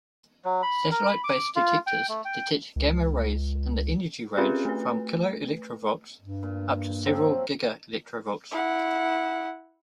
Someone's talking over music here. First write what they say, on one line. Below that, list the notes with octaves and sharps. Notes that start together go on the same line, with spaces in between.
Satellite-based detectors detect gamma-rays in the energy range from keV up to several GeV.
F#3
B5
A#4
B5
D6
F4
G5
A3
G5
C#2
C4 C#4 F4 G4 G#4 B4
A3 B4
G2
A#2
F3 F#3 C4
E4 F#5